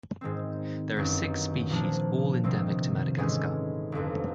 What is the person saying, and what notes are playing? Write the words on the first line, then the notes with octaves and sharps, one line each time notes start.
There are six species, all endemic to Madagascar.
G#2 D#3 G#3 C4
G1 F#2 D#3
A#2 F3 A#3 D4
C2 C3 D#3 G3 C4
A1 G#2 E3 G#3 C#4
G1 F2 D3